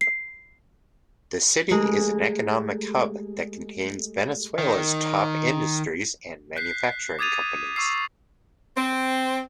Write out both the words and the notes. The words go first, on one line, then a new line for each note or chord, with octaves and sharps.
The city is an economic hub that contains Venezuela's top industries and manufacturing companies.
C7
G#3 A3 G4 A4
D#3
F#6 G6 B6 C7
D6 D#6 G#6 A6 D#7 F7
C#6 D6 E6 C7
C4